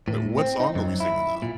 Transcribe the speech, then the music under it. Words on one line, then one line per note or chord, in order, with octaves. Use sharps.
Wait, what song are we singing, though?
A2
C4
D#4
F#2
E4
A#2